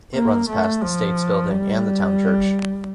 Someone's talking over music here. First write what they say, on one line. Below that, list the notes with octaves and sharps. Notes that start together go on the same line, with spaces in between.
It runs past the States Building and the Town Church.
A#3
A3
F3
G3